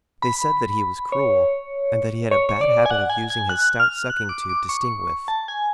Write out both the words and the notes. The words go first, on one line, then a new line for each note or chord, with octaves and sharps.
They said that he was cruel, and that he had a bad habit of using his stout sucking tube to sting with.
B5
C#5
C#5
C#5
D5
G#5
F#5
G#5
G#5
F#6
F6
F#6
D6
D6
C#6
A5
G#5